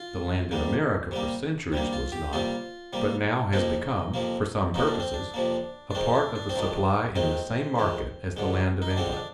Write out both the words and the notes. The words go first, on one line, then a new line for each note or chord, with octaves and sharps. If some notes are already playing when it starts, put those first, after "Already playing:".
The land in America for centuries was not, but now has become, for some purposes, a part of the supply in the same market as the land of England.
Already playing: F4
G#2 G3 A#3
C3 G3 A#3
C3 G3 A#3
F4
G4
C3 G3 A#3 F4
C3 G3 A#3
F2 C3 F3 A#3 D#4
F2 C3 F3 A#3
F2 C3 F3 A#3 D#4
D4
C4
D4
F2 C3 F3 A#3
D4
F2 D#3 G#3 C4
D4
D4
C4
F2 D#3 G#3 D4
F2 D#3 G#3 C4
F2 D#3 G#3
F2 D3 G#3
D#4
D4
F2 D3 G#3 C4
D4